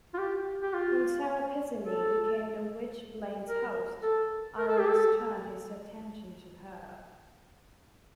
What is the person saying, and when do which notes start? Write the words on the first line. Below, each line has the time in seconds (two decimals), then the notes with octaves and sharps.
When Sara Pezzini became the Witchblade's host, Irons turned his attention to her.
0.14 F4
0.19 G4
0.62 G4
0.74 F4
1.84 A4
3.49 A#4
4.03 A4
4.58 A#4
4.69 A4
4.79 G4
4.88 A4